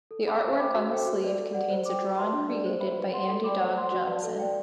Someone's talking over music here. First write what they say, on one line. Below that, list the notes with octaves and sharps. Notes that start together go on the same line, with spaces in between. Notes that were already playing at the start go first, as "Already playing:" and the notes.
The artwork on the sleeve contains a drawing created by Andy Dog Johnson.
A4
E5 G5 B5 D6
C5
E5 G5 B5 D6
F#4
A4 C5 G5 D6
F#4
B4 D5
A4
D5 F#5
C5
G5 D6
F#4
B4 E5 A5 C6
D4
A4 D5
C5
E5 B5
B4
F#5 C6
A4
D5 G5 B5 D6
C5
F#5 C6
F#4
B4 D5 A5
A4
D5 G5